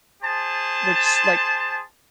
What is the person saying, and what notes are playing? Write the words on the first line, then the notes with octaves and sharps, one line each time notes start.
which like
G#4 C5 A5